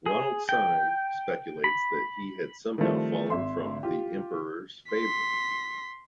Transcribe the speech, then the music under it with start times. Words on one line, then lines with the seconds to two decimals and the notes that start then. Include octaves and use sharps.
Ronald Syme speculates that he had somehow fallen from the Emperor's favour.
0.06 G#4
0.49 G5
1.64 B5
2.78 D#3 F3 G3 A3 C4
3.30 G#1 E5 C6
3.83 F4 G4
4.91 C6 B6